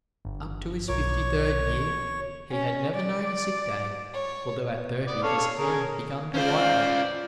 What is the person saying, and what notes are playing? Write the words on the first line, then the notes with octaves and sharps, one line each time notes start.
Up to his fifty-third year he had never known a sick day, although at thirty his hair had begun to whiten.
G1
B1 A#4 C#5 D6
C#4
D5
C#5
B3 D5
A4 C#5 F5
C#4 G#4 A#4
C#4 F4 C5 D5 F5